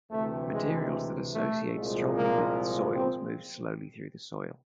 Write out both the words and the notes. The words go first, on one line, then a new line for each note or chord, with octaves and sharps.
Materials that associate strongly with soils move slowly through soil.
D2 C3 E3 A3
G#3
A3
C2 A#2 F3 G#3
A#3
C4